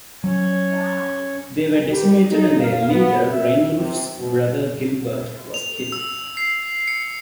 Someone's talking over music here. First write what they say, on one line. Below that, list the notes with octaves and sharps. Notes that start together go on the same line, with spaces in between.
They were decimated and their leader, Rainulf's brother Gilbert, was killed.
F#3 C#4
G4
D#4
F5
B3
E5
C3
B2
F7
E6
C7
C#7